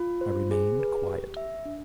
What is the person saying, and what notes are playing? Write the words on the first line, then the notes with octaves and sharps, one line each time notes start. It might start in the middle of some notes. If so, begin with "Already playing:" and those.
I remained quiet.
Already playing: F4
C5
G#4
B4
G4
E5
D4